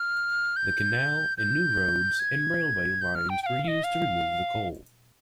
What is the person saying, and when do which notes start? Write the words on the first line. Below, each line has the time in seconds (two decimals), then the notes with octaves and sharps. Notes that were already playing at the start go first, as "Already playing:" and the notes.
The canal and new roads and railway lines were used to remove the coal.
Already playing: F6
0.56 G6
1.38 G6
2.19 G#6
3.01 G6
3.15 F6
3.29 G5
3.43 G5
3.46 F5
3.63 F5
3.68 D#5
3.84 F5